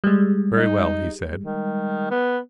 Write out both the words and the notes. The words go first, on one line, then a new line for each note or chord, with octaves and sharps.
"Very well," he said.
G3 G#3
D#4
D#3
B3